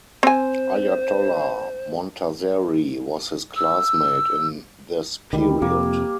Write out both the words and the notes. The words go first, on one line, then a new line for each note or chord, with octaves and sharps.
Ayatollah Montazeri was his classmate in this period.
C4 C5 G#5
E6
D2 D#3 G3
F2 C3 A#3